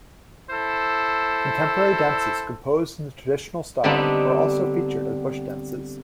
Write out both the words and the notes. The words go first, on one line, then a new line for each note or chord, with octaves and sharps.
Contemporary dances, composed in the traditional style, are also featured at bush dances.
E4 A4 C5
D3 G3 B3 C4 D4 D#4